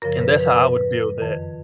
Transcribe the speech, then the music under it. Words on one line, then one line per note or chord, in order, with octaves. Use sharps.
and that's how I would deal with that.
F#2 C#3 F3 A#4
B4
B4
B4
F2 D#3